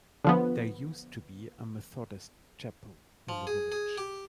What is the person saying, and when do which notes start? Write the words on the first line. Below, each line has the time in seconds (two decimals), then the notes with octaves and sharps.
There used to be a Methodist Chapel in the village.
0.24 D3 F3 B3
3.29 F3
3.47 G#4
3.72 G#4
3.98 G4